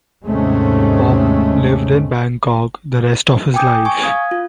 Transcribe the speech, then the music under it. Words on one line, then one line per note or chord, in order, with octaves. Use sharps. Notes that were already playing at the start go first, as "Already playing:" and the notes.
Pop lived in Bangkok the rest of his life.
D#2 G#2 C3 G#3 A3 C#4
G5 G#5 D6 D#6 G6
G#5 C#6
F5 D#6 G#6
F4